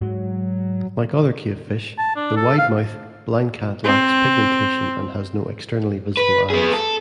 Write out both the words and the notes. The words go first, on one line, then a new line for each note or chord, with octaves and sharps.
Like other cavefish, the widemouth blindcat lacks pigmentation and has no externally visible eyes.
G#2 F#3 G#3
A5
D4
A4
F5
C4
B4
B3 G#4
A4